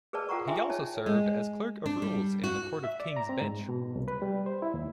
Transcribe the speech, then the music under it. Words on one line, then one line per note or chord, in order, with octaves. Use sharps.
He also served as Clerk of Rules in the Court of King's Bench.
G#4 A#4 B4 D5 A5
F4 A4 F#5 G5 A#5 C#6
G#4 E5 G5 G#5 C6
D#4 C#5 A5
G#3
D4
G3
F#4
E5
D5
A#5
C4
G#2
B2
C2
B4
G3
C5
E4
D#2